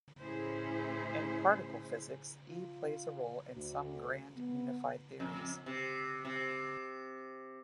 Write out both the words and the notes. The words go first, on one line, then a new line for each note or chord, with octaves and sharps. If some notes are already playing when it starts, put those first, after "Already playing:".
In particle physics, E plays a role in some grand unified theories.
A2 C#4 E4 G#4 C5
F4
D2
B3
F2
C3
C3